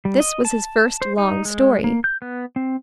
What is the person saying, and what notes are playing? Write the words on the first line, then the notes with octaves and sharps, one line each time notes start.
This was his first long story.
G3
D#5
A5
C5
D#4
G#3
A#3
G6
B3
C4